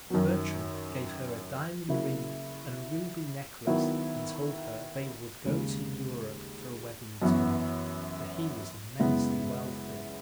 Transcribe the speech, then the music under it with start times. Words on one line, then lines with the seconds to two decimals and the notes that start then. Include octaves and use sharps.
Bertram gave her a diamond ring and a ruby necklace and told her they would go to Europe for a wedding tour, for he was immensely wealthy.
0.10 F#2 D#3 F#3
1.89 C#3 F#3 A#3 E4
3.67 D#3 F#3 B3 E4
5.45 D#2 C#3 G#3
7.22 F#2 E3 B3 F#4
8.99 F#2 C#3 G#3 B3 E4